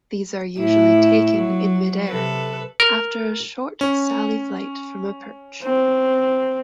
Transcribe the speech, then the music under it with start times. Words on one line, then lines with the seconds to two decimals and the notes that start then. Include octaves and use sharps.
These are usually taken in mid-air, after a short sally flight from a perch.
0.59 A2 E4
1.38 F#3
2.07 C3 A4 B4
2.80 A#4
3.81 C#4
5.63 C4